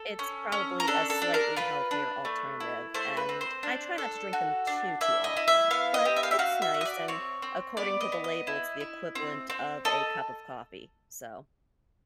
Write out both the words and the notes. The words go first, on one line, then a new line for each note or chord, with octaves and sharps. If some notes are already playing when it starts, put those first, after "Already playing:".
it's probably a slightly healthier alternative, and I try not to drink them too, too often. But it's nice, and according to the label, it's the equivalent of a cup of coffee, so
Already playing: A4
C#4
C#4
A#4
D4 A4
A4
D4
A#4
F4 B4
D4
A3
E4
A3 C5
B4
C4
C5
D4
A4
F#4
D4
E4 E5
D#5
E4
E5
B3 F5
D#5
G4
E5
F5
E5
F#4 F5
E5
F#4
D#5
D5
C4 C#5
C4
B3 D5
D#5
B3
D#5
E4
E4
C4
C4
A4 D#5